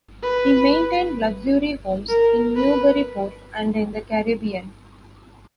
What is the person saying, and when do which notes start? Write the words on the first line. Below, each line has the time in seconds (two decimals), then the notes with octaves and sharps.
He maintained luxury homes in Newburyport and in the Caribbean.
0.23 B4
2.09 A#4
2.56 B4